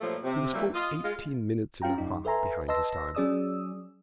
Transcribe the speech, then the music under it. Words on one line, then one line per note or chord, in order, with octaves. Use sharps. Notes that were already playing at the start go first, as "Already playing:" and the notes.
He was full eighteen minutes and a half behind his time.
G2 A#2 F3 F#3 A3 A#3
C3
E3 F#3 G3 A3 A#3
F4 D#5
G#3 F4
C#4 F4 F5 G5 A#5
G1 F#2 D#4
A4 B4 E5 G#5 A#5 C6
B4 D#5 A5 C6 E6 A#6
F#3 C#4 G#4 D5 D#6 E6